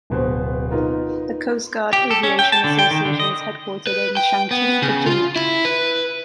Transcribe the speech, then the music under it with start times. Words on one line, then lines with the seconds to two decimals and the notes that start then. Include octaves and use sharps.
The Coast Guard Aviation Association is headquartered in Chantilly, Virginia.
0.10 D1 B2 B4 C5
0.71 B3 D#4 F4 A#4
1.93 G4
2.11 A4
2.23 C#4
2.39 G5
2.52 A5
2.64 D3
2.79 G5
2.91 D#3
3.05 D3
3.20 D#5
3.87 B4
4.17 G5
4.51 B3
4.82 C#3
5.06 F4
5.36 E4
5.65 B4